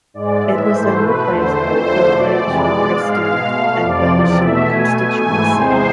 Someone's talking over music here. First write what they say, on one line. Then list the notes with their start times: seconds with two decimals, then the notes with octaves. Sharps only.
It was then replaced by the Coatbridge, Chryston and Bellshill constituency.
0.14 G#2 G#3 D5
0.42 A2 E3 G#3 E5
0.70 G#2 E3 A3 C5
0.98 B2 A3 B4
1.27 E2 D3 A3 C5
1.56 F2 E3 A3
1.84 E2 D3 F3 A3 C5
2.12 B2 A3 D5
2.40 F2 C3 E3 G#3 D5
2.69 B2 G#3 D5
2.97 G#2 G#3 F5
3.26 B2 G#3
3.54 B2 A3 F5
3.82 F2 C3 F3 D5
4.11 E2 C3 F3 D5
4.39 E2 B2 A3 E5
4.67 B2 A3 G#5
4.96 B2 A3
5.25 G#2 E3 A3 G#5
5.52 E2 C3 G#3 C5